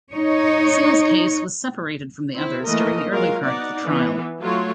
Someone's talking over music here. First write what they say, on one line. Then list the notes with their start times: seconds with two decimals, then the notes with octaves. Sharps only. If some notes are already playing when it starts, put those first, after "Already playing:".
Seale's case was separated from the others during the early part of the trial.
0.14 D#4 C#5
2.34 C4 E4
2.65 E3 A3 A#3 A#4 D#5
3.10 F#3 G#3 F4 A#4 F5
3.42 B3 D#4 D5 F#5
3.84 E3 B3
4.40 F#3 A3 F4 C#5 C6